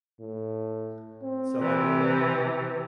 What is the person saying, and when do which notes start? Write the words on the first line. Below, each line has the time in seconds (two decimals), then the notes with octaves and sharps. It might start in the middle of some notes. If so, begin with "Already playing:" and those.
So I did.
0.20 A2
1.24 C4
1.62 C3 E3